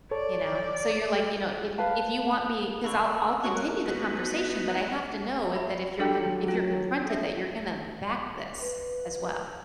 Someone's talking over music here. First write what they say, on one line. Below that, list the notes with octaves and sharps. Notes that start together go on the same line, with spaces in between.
You know? So, you're like, you know, "If if you want me 'Cause I'll I'll continue the conversation, but I have to know if that if you're con if you're confronted that you're gonna back this as well.
A4 C#5 D5
B4 F5 A5
D3 B5 C#6 E6
F#4 C#5 C#6
A#4 F#6
B3 D#4 F#4 B4
E5 B5 C#6
F#3 D4 F#4 G4 A4 G5 A#5
C#4 D#4 F4
A4 E5
B4